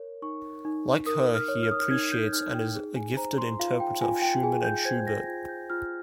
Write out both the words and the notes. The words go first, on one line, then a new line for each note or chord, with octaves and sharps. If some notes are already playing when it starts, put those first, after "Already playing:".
Like her, he appreciates and is a gifted interpreter of Schumann and Schubert.
Already playing: A#4 C#5
D#4 C#6
D#4
A#4 D#6
F6
C#5
F6
D#6
F6
D#4 G#6
G6
D#4 F6
G5
G#4
G#5
C5 A#5
C6
F4 F5
G5
F4 G#5
G5
G#4 G#5
G6
C5 G#6
A#6
F4 G#6
G6
F4 F6